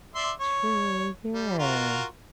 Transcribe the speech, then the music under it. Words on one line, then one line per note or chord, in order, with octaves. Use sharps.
True, yeah.
D5 E5 C6
C#5
G3
F4 F#4 A#4